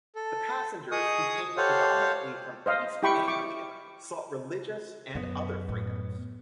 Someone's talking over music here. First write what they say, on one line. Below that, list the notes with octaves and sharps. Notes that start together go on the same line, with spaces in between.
The passengers who came predominantly from East Anglia sought religious and other freedoms.
A4
G#4 D#5 C#6 D#6
G4 A4 C5 C#5 F5 F#5
C5 D#5 F5
E4 G4 G5 B5 C#6
C#6 D6
F#2 B2 B3
A2